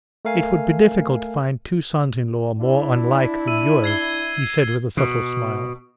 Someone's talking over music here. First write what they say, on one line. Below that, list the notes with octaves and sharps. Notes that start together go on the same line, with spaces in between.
"It would be difficult to find two sons-in-law more unlike than yours," he said with a subtle smile.
A3 A#4 F5 G#5
D4 E4
E6 D#7
G#6 C7 G7
B2